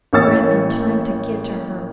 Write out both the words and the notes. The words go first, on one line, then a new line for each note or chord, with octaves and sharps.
Grant me time to get to her....
A1 A#3 C#5 E6 A6